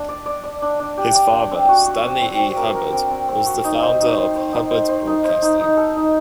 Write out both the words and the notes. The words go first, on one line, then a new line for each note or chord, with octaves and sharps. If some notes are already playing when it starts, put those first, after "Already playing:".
His father, Stanley E. Hubbard, was the founder of Hubbard Broadcasting.
Already playing: D4
D5
D5
D5
D4
D4
G4
D5
D4
C4
F#4
F#4
C4
C4
C4
A#4
A#4
C4
C4
C4
F#4
D#4
C5
D#4
C5
C5
D#4
C5
C5
D#4
C5
D#4
D#4
A4
D#4